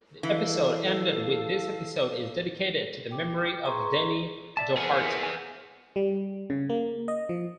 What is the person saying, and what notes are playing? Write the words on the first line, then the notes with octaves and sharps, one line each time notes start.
The episode ended with This episode is dedicated to the memory of Denny Doherty.
E3 A4 F5
G5 D6
G#4 B4 A#5 C6 C#6
D5 E5 A5
B3 G#4 A#4 C5 E5
G#5 G6
G3
C#3
A#3
D#5
F3